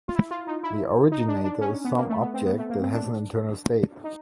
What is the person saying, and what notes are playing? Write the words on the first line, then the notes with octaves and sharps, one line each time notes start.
The originator is some object that has an internal state.
F4
E4
F4
D#4
E4
D#4
D4
D4
C#4
B3
A#3
A3
B3
C4
B3
A3
A#3
C4
D4
D#4